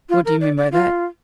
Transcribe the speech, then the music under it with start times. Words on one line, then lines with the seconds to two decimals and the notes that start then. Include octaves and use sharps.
"What do you mean by that?"
0.09 F4
0.25 A#4
0.41 D5
0.57 D5
0.72 F4